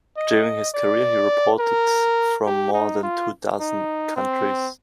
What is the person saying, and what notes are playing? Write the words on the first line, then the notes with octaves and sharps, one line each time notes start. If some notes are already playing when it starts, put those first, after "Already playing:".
During his career, he reported from more than two dozen countries.
D#5
D5
A#4
G4
D#4
F4
D#4
C4